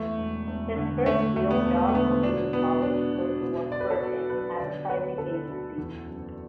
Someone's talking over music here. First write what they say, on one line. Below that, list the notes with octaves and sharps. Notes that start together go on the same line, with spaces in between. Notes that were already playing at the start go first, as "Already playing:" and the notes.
His first real job on leaving college was to work for an advertising agency.
Already playing: E2 A3
E1
E1
D3
D3 A3
A3
E1 A3
B3
E1
A3
D3 B3
B2 D4
B2 B3
B2 D4
B2
B2
B2 D5
B4
A4
B2 F#4
B1 B4
D3 D5
D2 B4
D3 A4
D2
E2
F#1